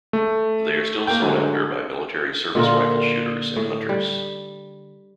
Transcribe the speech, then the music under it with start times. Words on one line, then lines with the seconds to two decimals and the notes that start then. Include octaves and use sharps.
They are still sought after by military service rifle shooters and hunters.
0.13 A3
1.07 A#3 G5
1.21 G#2 D3 F#3
2.55 A#2 D3 F4 A#4
3.56 A2
3.89 G3